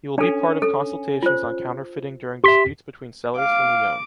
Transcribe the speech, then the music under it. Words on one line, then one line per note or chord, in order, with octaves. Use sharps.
He will be part of consultations on counterfeiting during disputes between sellers from Lyon.
C#4 D4 A4
A4
F4 C5
G4 E5 C6 B6
F5 D6